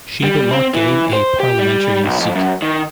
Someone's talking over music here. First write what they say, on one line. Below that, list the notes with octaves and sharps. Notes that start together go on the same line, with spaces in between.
She did not gain a parliamentary seat.
G3
C4
E3
C5
G4
G3
B1
F2
F#2
D#3